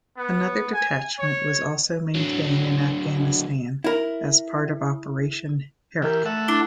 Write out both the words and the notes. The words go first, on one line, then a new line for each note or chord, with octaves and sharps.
Another detachment was also maintained in Afghanistan, as part of Operation Herrick.
B3
G#5
C#5
D3 F#3
E4 A#4
E3 G4 A#4
A3 A4 E5 F#5
D4 E4